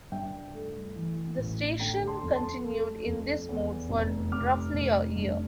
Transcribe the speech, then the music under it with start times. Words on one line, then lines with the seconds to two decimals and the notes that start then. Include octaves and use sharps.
The station continued in this mode for roughly a year.
0.12 G2 E5 G5
0.54 A3
0.96 E3
1.38 A1
1.80 D3 G5 A#5
2.07 A5 C6
2.23 F2
2.36 A5 C6
2.64 A3
3.06 F2
3.49 E2
3.89 F1
4.31 C3 D6 F6
4.73 F1
5.16 G2